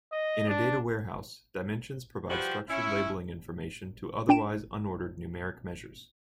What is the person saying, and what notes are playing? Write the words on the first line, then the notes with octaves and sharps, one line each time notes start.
In a data warehouse, dimensions provide structured labeling information to otherwise unordered numeric measures.
D#5
D4
F3 G3 F#4 G4 B4 C5
C#4 E4
D4 G5 D7 E7